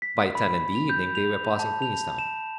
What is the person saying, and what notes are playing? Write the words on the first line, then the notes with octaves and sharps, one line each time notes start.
By ten in the evening they were passing Queenstown.
B6
B5
F7
G6
F7
A5
F7
E7